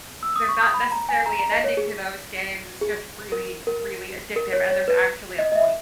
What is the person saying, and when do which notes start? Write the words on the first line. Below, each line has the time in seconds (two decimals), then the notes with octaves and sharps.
there's not necessarily an ending to those games, it's just really, really addictive, and there's actually a point.
0.23 E6
0.36 D#6
0.49 C#6
0.61 D#6
0.74 B5
0.92 A#5
1.09 G#5
1.26 A#5
1.39 A#5
1.52 D#5
1.64 C#5
1.77 G#4
2.81 G#4
3.32 A#4
3.67 A#4
4.36 A#4
4.53 C#5
4.70 C#5
4.88 B4
5.39 D#5
5.52 D#5
5.56 E5